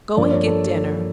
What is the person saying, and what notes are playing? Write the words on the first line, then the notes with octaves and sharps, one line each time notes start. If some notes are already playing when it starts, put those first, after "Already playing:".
Go and get dinner.
G2 F3 A#3 D5
C#5
A4